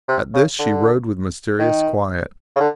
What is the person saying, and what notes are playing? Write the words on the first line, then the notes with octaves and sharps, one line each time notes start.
At this she rode with mysterious quiet.
C3
C#3
D3
D#3
C#3
D3